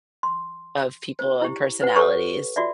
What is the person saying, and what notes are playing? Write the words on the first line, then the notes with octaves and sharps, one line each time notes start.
of people and personalities.
C6
C5
E4 G4
B4 C5 F#5
G4 A4 B4 C#5 C#6
F4 F#4 D5 E5